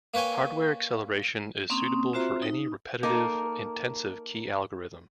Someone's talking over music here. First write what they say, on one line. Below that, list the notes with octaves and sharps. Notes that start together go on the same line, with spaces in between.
Hardware acceleration is suitable for any repetitive, intensive key algorithm.
A#3 B4 C#5 G5 G#5
A#3 C4 C#4 C6 D#6
C4 F4 F#4 C5 E5 A#5
D#4
A#3 D#4 A4 A#4